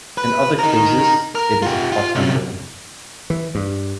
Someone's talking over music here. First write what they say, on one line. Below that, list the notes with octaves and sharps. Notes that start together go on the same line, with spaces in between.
In other cases it is a part-time role.
B4
D#4 A#4
A#4
F4 G4
F4
C3 C#4
E3
G2